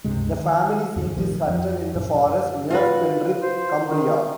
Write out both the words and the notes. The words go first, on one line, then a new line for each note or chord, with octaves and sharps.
The family seat is Hutton in the Forest, near Penrith, Cumbria.
C#2 G2 C3 G#3
D#3
E2 G#2 D3 F3
A#1 A2 D#3 F3
F2 F3
F#2 A#2 F#3
F4 F#4 B4
C5
D#3